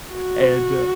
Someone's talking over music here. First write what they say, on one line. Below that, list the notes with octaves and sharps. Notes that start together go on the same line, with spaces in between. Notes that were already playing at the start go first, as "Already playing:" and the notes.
and, uh
F#4